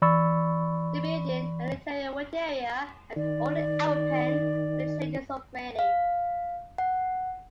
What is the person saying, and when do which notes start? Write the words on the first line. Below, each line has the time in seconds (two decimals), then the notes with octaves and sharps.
The building and interior waiting area are only open when the train is operating.
0.02 E3 D5 B5 C#6 E6 A6
3.16 D#3 D5
5.79 F5
6.78 F#5